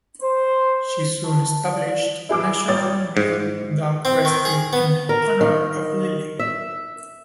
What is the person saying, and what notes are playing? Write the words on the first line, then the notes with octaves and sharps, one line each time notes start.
She soon established National Mill Dog Rescue in honor of Lily.
C5
A5
D5
E4 G#4 D6 E6
G#1 C#5 G5 D#6 A6
G#2
C4
D#3
G#4
B3
A#4
D#3
E5